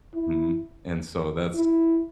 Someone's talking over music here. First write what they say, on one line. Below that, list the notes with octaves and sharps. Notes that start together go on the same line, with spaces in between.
Mhm, and so that's
E4
E4